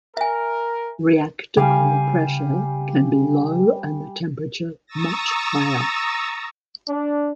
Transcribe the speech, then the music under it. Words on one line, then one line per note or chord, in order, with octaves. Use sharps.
Reactor core pressure can be low and the temperature much higher.
A#4 E5 G#5
C#3 G3 F5 G#5
A#5 C#6 D#6 E6 A6 A#6
D4